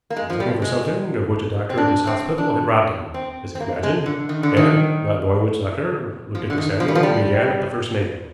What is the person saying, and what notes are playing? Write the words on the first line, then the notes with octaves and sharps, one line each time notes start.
He was looking for something of which a doctor at this hospital had robbed him, as he imagined, and, not knowing which doctor, looked at this annual and began at the first name.
A#3
G#3
F3
G3
G#3
C4
D4
C4
D4
C4
C4
A#3
G#3
D3
D#3
D3
D#3
F3
D3
D#3
F3
G3
F3
G3